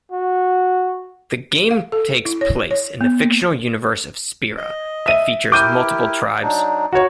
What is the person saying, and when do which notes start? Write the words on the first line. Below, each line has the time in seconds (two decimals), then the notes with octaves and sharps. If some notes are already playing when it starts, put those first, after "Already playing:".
The game takes place in the fictional universe of Spira that features multiple tribes.
0.12 F#4
1.71 F5
1.92 A4
2.26 E4
2.41 C#5
2.71 C#5
3.01 B3
3.21 A#3
4.57 D#5
5.06 E5 D#7
5.52 E4 G4 A#4 D6 G6 D#7
6.43 F#3 D4 D#4
6.93 D#4 F4 F#4 C#5